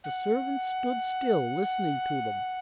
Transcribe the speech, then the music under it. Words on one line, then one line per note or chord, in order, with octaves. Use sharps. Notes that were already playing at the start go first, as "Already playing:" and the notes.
The servant stood still listening to them.
F#5